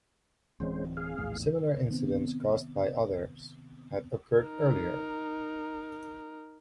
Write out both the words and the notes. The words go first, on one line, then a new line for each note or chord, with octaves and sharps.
Similar incidents caused by others had occurred earlier.
D1 E3 G#3 C4 C#4 C5
G#4 F5
A#1 E2 A2
C3 D#3 B3 C4
D#4 A#4